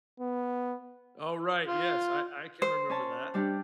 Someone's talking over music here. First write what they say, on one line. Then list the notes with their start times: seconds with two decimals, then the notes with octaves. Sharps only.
Oh, right, yes, I I can remember that.
0.20 B3
1.68 F4
2.62 C5
2.89 C#4 C#5 A5
3.34 G3 D4 G4